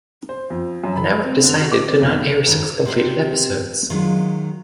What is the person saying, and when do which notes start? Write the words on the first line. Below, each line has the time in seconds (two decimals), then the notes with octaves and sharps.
The network decided to not air six completed episodes.
0.29 C5
0.50 F2
0.84 F#2
0.96 B5
1.23 C4
1.44 D3
1.61 F#4
1.72 D6
1.89 C4
2.02 B1
2.27 F7
2.47 G#1
2.86 C3 B3 C4
3.90 D#3 F#3 G#3 F4